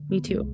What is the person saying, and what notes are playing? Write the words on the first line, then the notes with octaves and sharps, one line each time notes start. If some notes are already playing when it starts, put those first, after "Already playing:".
me too.
Already playing: D3
B3
C2 G#3